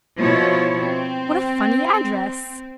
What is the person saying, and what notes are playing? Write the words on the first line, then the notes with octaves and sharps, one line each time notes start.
"What a funny address!"
B2 F3 B3 E4 C#5
C4